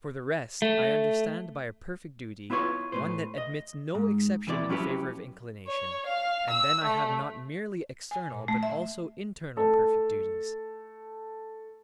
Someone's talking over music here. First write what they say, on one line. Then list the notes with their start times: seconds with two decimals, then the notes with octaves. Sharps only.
For the rest, I understand by a perfect duty one that admits no exception in favour of inclination and then I have not merely external but also internal perfect duties.
0.62 A3
2.50 B3 E4 F4 B4 C#5
2.92 A2 B4 C5
3.38 D#5
3.95 G#2
4.47 E2 C3 E3 E4 D5
4.69 F#3 C#4 E4 G4 B4
5.67 C#5
6.07 F5
6.50 E6
6.85 A3
8.11 G#5
8.31 A#2
8.48 A3
8.63 E5
9.57 A3 A4